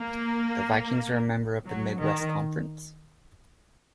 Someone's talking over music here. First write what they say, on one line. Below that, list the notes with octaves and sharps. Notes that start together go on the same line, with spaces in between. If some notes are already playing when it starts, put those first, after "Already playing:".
The Vikings are a member of the Midwest Conference.
Already playing: A#3
F#3
D#3